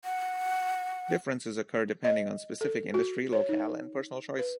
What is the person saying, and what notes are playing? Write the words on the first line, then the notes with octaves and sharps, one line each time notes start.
Differences occur depending on specific industry, locale, and personal choice.
F#5
D#5
A4
F#4
C#5
D#4
B4